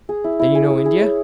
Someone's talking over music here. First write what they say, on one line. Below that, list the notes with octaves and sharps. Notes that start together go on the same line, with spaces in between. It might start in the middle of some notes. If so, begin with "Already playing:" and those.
"Then you know India?"
G#4
E4
E4
G#4
G#4
G#4
C#5